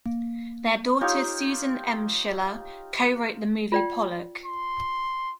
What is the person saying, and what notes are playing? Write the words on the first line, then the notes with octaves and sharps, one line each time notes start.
Their daughter Susan Emshwiller co-wrote the movie Pollock.
A#3
D#4 F4 G4 C#5
F4 D5 G5
C6